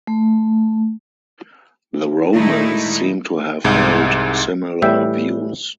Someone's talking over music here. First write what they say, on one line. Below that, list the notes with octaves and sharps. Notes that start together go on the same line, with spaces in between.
The Romans seem to have held similar views.
A3
A#2 D#3 G#3 A3 D#4 E4
C2 G#2
A2 E3 G3 E5 G5